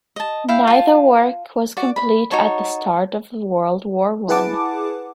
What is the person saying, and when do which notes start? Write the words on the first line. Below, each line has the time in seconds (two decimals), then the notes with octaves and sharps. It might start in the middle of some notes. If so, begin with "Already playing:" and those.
Neither work was complete at the start of World War One.
0.16 D#5 A5
0.49 E4 F5 G5
0.67 F4 A5
1.77 F#4 D5
1.96 B5
2.31 D#4 F#4 C#5 A5
4.28 E4 G#4 B4 F#5 A5 D6